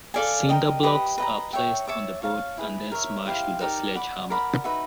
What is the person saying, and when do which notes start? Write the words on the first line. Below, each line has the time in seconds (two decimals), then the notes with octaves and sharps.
Cinder blocks are placed on the board and then smashed with a sledgehammer.
0.14 A4 D5 F5 G#5
0.49 A#4 D#5 G5
0.83 G4 B4 D#5
1.18 B4 D#5 G5 A#5
1.53 C#5 E5 G5
1.87 C#5 E5 A5 D6
2.22 C#5 F5 A5
2.57 E4 G#4 B4
2.92 A#4 C#5 E5
3.26 E4 G4 C5 F5
3.61 D#4 G4 A#4 D5
3.95 D5 F#5 B5
4.30 A#4 D5 F#5 B5
4.64 D#4 F#4 B4 E5